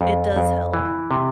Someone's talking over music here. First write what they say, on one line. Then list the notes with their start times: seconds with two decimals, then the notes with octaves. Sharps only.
It does help.
0.01 F2
0.36 F2
0.74 E3
1.11 C3